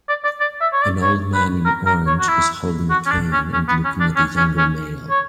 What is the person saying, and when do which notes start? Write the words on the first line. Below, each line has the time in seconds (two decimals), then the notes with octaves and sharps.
An old man in orange is holding a cane and looking at a younger male.
0.09 D5
0.24 D5
0.40 D5
0.61 E5
0.73 C#5
0.82 D5
1.02 C#5
1.34 B4
1.65 A#4
1.86 A#4
2.07 C#5
2.20 F#4
2.28 E4
2.90 F#4
3.06 C#4
3.11 D4
3.33 C#4
3.53 C#4
3.68 B3
3.85 C#4
4.00 D4
4.16 C#4
4.37 C#4
4.58 C#4
5.10 C#5